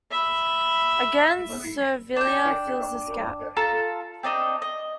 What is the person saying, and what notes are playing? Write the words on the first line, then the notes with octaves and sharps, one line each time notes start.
Again, Servilia fills this gap.
E5 B5
D4 G5
F4 A4 A5 A#5
C4 D4 D#4 D#5
D#5